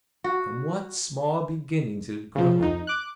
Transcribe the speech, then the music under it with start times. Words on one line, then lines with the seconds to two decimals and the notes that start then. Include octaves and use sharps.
From what small beginnings it had grown!
0.24 F#4
2.35 C#3 F3
2.60 F2 D#4
2.87 D6 F#6